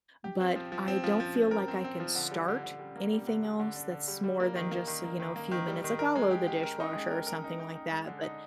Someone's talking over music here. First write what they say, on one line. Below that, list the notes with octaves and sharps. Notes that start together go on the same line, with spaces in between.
but I don't feel like I can start anything else that's more than just, uh, you know, a few minutes, like, I'll load the dishwasher or something like that, but,
G4
C4
F3
F3
C4
F3
F3
F3
A#4
C4
C4
F3
D3
G3
D3
D3
G3
A#3
G3
D3
G3
D3
D4
D3
G3
G3
A#3
D#3
A#3
D#3
A#3
D#3
A#3
D#3
G3
D#3
A#4
G#3
G4
G4
A#4
D#4
G#3
A#4
A#4
D#4
D#4
D#4
G#3
D3
D#4